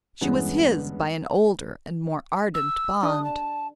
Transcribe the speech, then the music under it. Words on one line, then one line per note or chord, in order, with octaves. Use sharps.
She was his by an older and more ardent bond.
E2 G2 E3 G#3 B3 C#4
E6
D4 D#6
A5